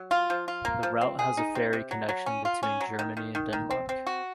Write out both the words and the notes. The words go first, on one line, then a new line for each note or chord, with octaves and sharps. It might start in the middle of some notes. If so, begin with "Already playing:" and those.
The route has a ferry connection between Germany and Denmark.
Already playing: F#3
F4
F3
F4
A#3
F3
C4
G#4
D#4
C4
C3
F#3
F#3
C#4
F4
C#4
F#3
D#3
D#3
D#3
D#3
C4
C4
F#4